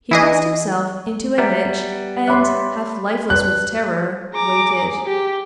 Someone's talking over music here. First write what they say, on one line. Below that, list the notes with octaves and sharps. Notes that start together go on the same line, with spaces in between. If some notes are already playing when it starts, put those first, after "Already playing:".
He pressed himself into a niche and, half lifeless with terror, waited.
E3 G#4 D#5
G3 B3 B4 E5 A#5
C#5 E5 B5 C6 D6 F#6
G2 B4 D5 F#6
G#4 A#5 D6
G4